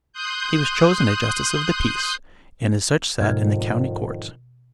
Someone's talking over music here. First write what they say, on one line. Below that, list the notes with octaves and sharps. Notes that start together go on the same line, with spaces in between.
He was chosen a justice of the peace, and as such sat in the county court.
C6 D#6 F#6 G6
G#2 B2 D3 D#3 F3 F6 G#6